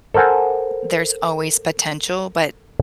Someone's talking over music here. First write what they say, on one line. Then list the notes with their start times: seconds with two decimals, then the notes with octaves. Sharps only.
there's always potential, but,
0.14 A4 A#4 C5 F#5 G#5